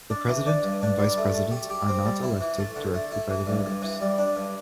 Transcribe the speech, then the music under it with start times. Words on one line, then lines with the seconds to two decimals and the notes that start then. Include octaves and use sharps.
The President and Vice President are not elected directly by the voters.
0.10 D4
0.28 E3
0.46 D4
0.63 G2
0.82 D4
0.99 G3
1.17 A3
1.34 A3
1.51 G4
1.70 G4
1.88 C4
2.05 G3
2.23 E4
2.41 E3
2.59 A3
2.76 D3
2.94 A3
3.11 E4
3.30 E3
3.46 G2
3.65 G2
3.82 E3
4.01 G3
4.18 D4
4.36 G2